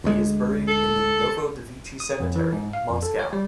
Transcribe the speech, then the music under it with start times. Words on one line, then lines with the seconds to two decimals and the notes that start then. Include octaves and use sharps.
He is buried in the Novodevichy Cemetery, Moscow.
0.04 D2 G#3
0.68 A4
2.00 D#6
2.20 F2
2.36 E3
2.52 G#2
2.73 F5
2.90 F2
3.03 A4
3.19 C#5
3.33 G3